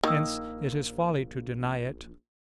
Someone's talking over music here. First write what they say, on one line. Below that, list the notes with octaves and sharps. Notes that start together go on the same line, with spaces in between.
Hence it is folly to deny it.
A#1 D#3 A#3 C#6 D#6 E6